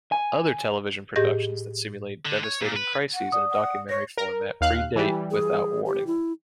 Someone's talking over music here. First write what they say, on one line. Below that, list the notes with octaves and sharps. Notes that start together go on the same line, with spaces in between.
Other television productions that simulate devastating crises in a documentary format predate "Without Warning".
G#5
A2 G4 G#4 D#5 G6 A#6
D3
C#5
A#2
B4
F#5
D5 D#6
F#5
C#5 A#6
A#4
D#2 F5 F#6
E3 G3
G#4
G4
E4